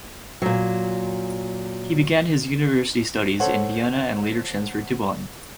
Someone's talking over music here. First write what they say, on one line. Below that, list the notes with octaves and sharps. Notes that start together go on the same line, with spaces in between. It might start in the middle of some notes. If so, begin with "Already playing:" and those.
He began his university studies in Vienna and later transferred to Bonn.
A#2 F#3
A4 C5 C#5 F#5